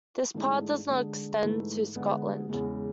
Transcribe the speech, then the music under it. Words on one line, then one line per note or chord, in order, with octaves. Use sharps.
This Part does not extend to Scotland.
G#2 E3 A3 D4 G#4
D3 G#3 D4 G#4
G#2 E3 A3 E4 B4
D3 G#3 B3
E2 C#3 G#3